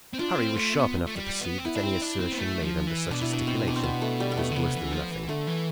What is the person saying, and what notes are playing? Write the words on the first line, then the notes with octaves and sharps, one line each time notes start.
Harry was sharp enough to perceive that any assertion made under such a stipulation was worse than nothing.
C4
D4 F4
C4
A3
B3
A3
G3
B3
C4
B3 E4
D4
C4
D4
C4
B3
A3
F3
E3
B2 D4
E4
D4
C4
D4
C4
B3
A3
G3
B3
A3
D3
C3 B3
E3
F3
E3
D3 A3
E3